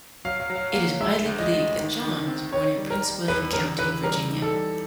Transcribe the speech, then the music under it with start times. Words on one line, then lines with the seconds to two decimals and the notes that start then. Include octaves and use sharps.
It is widely believed that John was born in Prince William County, Virginia.
0.25 F#3 F5
0.40 F5
0.50 F#3
0.56 F5
0.72 A#3 F5
1.00 G#3 E5
1.26 D2
1.39 D#5
1.52 D2
1.77 D#3
2.02 D#3
2.27 C4
2.52 D#3 C#5
2.77 G3
2.90 A#4
3.03 G3
3.28 E2 B4
3.53 E2 A#4
3.78 E3 B4
4.04 G3 A#4
4.29 D#4
4.42 A4
4.54 G3